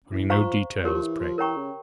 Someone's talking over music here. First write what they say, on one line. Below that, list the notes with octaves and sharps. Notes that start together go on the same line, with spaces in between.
Only no details, pray.
E3
F3 C5 F5 A#5 C#6
F3 G4 A#4 C#5
F3
E3
F3
E3 A#4 C#5 G5 A#5 C#6
C#3